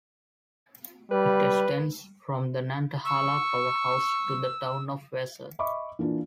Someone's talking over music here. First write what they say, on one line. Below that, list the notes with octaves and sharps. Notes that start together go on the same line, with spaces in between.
It extends from the Nantahala Powerhouse to the town of Wesser.
G3 B4
C#6 E6
D#5 E5 B5 C#6 D6
E3 A#3 D4 F4